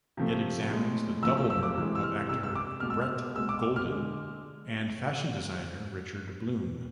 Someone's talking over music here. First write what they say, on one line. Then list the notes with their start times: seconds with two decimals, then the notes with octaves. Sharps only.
It examines the double murder of actor Brett Goldin and fashion designer Richard Bloom.
0.17 C3 F3 A3
0.70 A2 G#3
1.23 C3 F3 A3 E6
1.37 E6
1.50 E6
1.63 D6
1.76 C3 E3 G#3
1.95 E6
2.03 F6
2.29 C3 G#3 E6
2.43 E6
2.55 D6
2.80 B2 G#3 F6
2.90 E6
3.01 F6
3.36 B2 G#3 E6
3.49 D6
3.62 D6
3.76 F6
3.88 D3 G#3